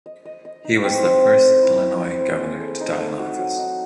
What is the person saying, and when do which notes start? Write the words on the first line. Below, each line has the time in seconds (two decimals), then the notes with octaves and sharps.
He was the first Illinois Governor to die in office.
0.06 D#5
0.25 D#5
0.45 D#5
0.65 D#4
0.84 C4
1.03 C4
1.23 C4
1.43 A3
1.62 E4
1.82 E4
2.02 C5
2.21 C5
2.41 G#4
2.61 A3
2.80 D#4
2.99 A3
3.19 F#4
3.39 F#3
3.58 D#4